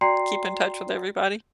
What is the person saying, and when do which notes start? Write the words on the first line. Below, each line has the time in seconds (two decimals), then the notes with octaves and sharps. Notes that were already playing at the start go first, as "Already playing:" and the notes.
Keep in touch with everybody.
0.01 F#4 D5 G5 A#5 C6 C7